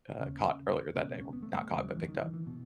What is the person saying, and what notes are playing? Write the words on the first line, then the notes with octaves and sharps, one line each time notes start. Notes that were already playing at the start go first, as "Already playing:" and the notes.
uh, caught earlier that day, well, not caught, but picked up.
D#2 C#3 C#4
C#2 B2 C#4
B3
C#4
B3
A3
G#3
A3
D#2 C#3 G#3
F#3
E3
D#3
E3
E3
B2